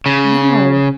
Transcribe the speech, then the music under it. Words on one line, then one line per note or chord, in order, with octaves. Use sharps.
But now!
C#3